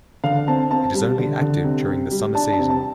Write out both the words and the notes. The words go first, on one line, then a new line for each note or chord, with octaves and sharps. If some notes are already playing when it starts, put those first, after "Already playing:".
It is only active during the summer season.
D3 F5
C4 A5
C4 A5
G3
D3
D3
C3
C3
G3
D4 A5
A5
C3
A5